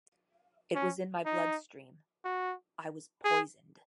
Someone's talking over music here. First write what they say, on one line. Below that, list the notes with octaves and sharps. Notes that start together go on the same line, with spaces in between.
It was in my bloodstream; I was poisoned.
C#4
D#4
F#4
G#4